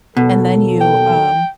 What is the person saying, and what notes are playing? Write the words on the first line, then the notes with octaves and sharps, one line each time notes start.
and then you, um,
D#2 B2 F#3 A4
G5